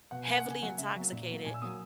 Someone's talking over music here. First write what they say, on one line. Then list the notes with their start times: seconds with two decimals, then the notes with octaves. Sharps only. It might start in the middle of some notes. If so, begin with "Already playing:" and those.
heavily intoxicated,
0.11 B2 F#5
0.24 A#3 G#5
0.38 F#5
0.45 C#3
0.50 G#5
0.61 F#3 A#3 F#5
0.78 C#3 E5
0.95 F#3
1.00 A#3
1.12 A#2
1.29 F#3 A#3
1.45 A#2 G#5
1.54 E6
1.62 F#3 A#3 D#6